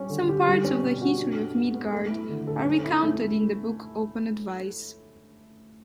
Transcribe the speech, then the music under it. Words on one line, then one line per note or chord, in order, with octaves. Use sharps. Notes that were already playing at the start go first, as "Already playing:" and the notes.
Some parts of the history of Midgard are recounted in the book Open Advice.
Already playing: G3 C#4
D3
G4
G3
C#4
B2
F#4
D4
A4
B3
B3
A3
E4
D3
A4
C#4
E4
A3